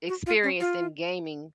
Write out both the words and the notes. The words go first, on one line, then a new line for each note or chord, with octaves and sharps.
experienced in gaming
F#4
F4
C#4
F4